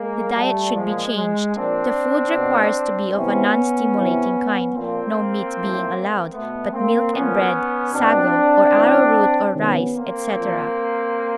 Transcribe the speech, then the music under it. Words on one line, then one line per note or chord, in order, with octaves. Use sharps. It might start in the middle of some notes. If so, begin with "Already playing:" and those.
The diet should be changed; the food requires to be of a non-stimulating kind, no meat being allowed, but milk and bread, sago, or arrowroot or rice, etc.
Already playing: G#3 A#3
G3 A3
A#2 F3 G#3
G#3
A#2 F3 C4 D4
B2
C3 E3 B3 C#4
C3 E3
A#2 F3 A#3 C4
A2 F3
B2 A3 B3
A#3 C4
A#2 F3 B3 C#4
B2 C4 D4
A2 E3
C3 D#3 B3 C#4
A#3 C4
A#2 F3